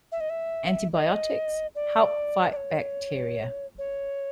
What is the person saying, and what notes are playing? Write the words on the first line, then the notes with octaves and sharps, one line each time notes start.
Antibiotics help fight bacteria.
E5
D#5
E5
D#5
D5
D5
C#5
C#5